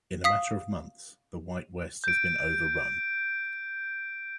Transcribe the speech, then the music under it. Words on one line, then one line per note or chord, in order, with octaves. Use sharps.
In a matter of months, the white West has been overrun.
F5 D#6 B6
G6 D7